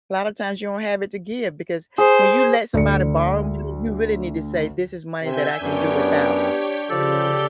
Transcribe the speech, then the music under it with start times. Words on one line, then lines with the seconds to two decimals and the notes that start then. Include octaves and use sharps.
a lotta times you don't have it to give because when you let somebody borrow money, you really need to say this is money that I can do without.
1.98 G#4 C5
2.74 D2 A4 D5 C#7
5.23 C3 E5 G#5 G6
5.61 F#2 B3 D4 G4 C#5 G5
6.90 C#3 F3 G4 A4 D5 G6